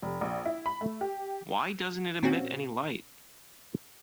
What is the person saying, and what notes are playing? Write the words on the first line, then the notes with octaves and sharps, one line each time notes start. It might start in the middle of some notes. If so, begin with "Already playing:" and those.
Why doesn't it emit any light?
F1
A#1
E4
B5
A3
G4
A#2 C4 C#4 F#4